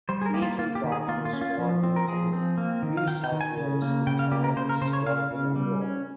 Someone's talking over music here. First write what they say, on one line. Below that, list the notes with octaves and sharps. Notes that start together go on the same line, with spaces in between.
Nathan Bracken was born in Penrith, New South Wales to parents Gordon and Robin.
G3 C5
G#4
A#4
A#3 G4
F4
A#3 F4
G4
D#3
G#4
A#3 F4
F4
C#4
F4
F3
C4
A#4
F3 G#4
C4
A#3
D#3
F5
D#3 G5
G5
D#3
G#5
C#3
A#3
C#3 G5
F5
A#3 G4
A#4
C#3 C5
A#4
C#3 C5
C#5
C#3 F5
C#3
G3
C#4